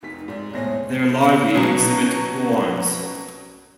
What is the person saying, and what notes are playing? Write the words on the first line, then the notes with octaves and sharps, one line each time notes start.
Their larvae exhibit horns.
F1 D#4 B6
G#2 D5
E2 A2 C3 G#3 C#5 A#6
B2 F#3 C#4